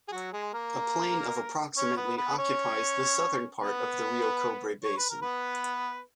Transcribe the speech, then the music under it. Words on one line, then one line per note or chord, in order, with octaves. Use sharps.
A plain of approximately occupies the southern part of the Rio Cobre basin.
G#4
F#3 F#4
G#3 G#4
A#3 A#4
C#4 C#5
B3 B4
B3 B4
C#4 C#5
B3 B4
C#5
B4
A#4
B3 B4